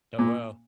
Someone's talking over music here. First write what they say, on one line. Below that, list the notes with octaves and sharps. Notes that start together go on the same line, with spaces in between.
Oh, well.
A#2